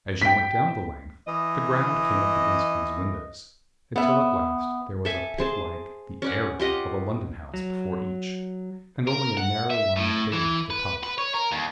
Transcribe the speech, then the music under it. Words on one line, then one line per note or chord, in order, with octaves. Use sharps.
As you went down the length, the ground came up against these windows, until at last there was a pit like the "area" of a London house before each, and only a narrow line of daylight at the top.
G5 B6
E3 D#5
B3 E5
A4 E5 G#5
G#4 C5 A5
C#4 D5 F#5
F4 G4 D#5 F#5
F#3
A#4
F#5
E5
A2
E3
B4
B4
C#5
A#4
D#2